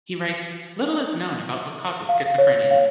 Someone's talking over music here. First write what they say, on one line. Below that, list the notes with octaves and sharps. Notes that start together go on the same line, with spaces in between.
He writes, Little is known about what causes schizophrenia.
F5
C#5
F5